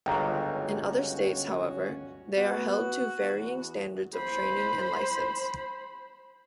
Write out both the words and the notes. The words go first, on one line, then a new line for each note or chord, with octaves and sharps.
In other states, however, they are held to varying standards of training and license.
G1 C#2 C#4 F#4 G5 A#5 C#6
B3 F#4
E2
C5 B5